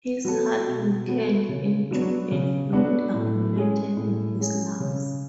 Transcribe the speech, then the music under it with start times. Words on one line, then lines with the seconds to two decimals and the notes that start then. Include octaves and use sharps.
His heart weakened in June, and fluid accumulated in his lungs.
0.25 F#3 B3 F#4 A4
0.67 B2
1.07 F#3 B3 F#4 A4
1.49 C#3
1.91 F#3 B3 D4 F#4
2.32 C#3
2.73 F#3 B3 D4 F#4
3.14 A2
3.56 G#3 C#4 G#4
3.97 A2
4.39 G#3 C#4 G#4
4.80 C#3